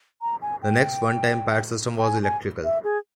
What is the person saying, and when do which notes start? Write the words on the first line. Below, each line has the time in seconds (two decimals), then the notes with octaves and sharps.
The next one-time pad system was electrical.
0.22 A#5
0.42 G#5
0.62 G5
1.99 G5
2.04 G#5
2.23 G#5
2.64 E5
2.84 G#4